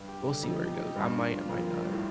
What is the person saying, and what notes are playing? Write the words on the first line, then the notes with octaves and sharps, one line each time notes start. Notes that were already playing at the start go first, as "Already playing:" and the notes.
we'll see where it goes. I might, I might not
Already playing: G2
G4
D3
F2 D#4
G4
D#4
G2 G3
D4
F4
F2 A#3
F4
G3
A2